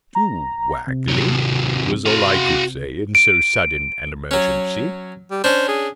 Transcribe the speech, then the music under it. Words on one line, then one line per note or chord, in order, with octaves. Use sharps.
"Too waggly?" was all I could say in so sudden an emergency.
A#5
C3
D#2 F#3
F#4 F5
D7
F#3 C#4
G3
C#4 D4 C5
G#4